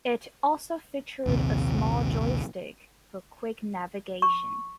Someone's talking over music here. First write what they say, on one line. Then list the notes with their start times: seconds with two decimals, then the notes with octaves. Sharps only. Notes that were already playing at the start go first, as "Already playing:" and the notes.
It also featured a small joystick for quick navigation.
1.26 A#1 D#2 C3
4.22 C#6